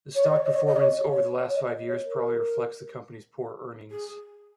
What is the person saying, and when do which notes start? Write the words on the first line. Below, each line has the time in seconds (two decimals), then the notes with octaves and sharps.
The stock performance over the last five years probably reflects the company's poor earnings.
0.15 C#5
0.25 D#5
0.36 C#5
0.46 D#5
0.55 C#5
0.66 D#5
0.76 C#5
1.09 C#5
1.49 C#5
1.56 D#5
1.87 C#5
2.03 A#4
3.91 G#4